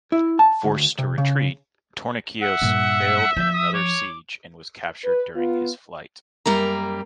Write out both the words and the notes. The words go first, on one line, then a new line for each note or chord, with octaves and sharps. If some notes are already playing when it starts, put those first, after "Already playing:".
Forced to retreat, Tornikios failed in another siege and was captured during his flight.
E4
A5
D2
C3
C#3
E5 F#5
G2 A#2
F3 G6
D#6
C#5 D6
B4
B3 F4
F#2 G3 A#3 A#5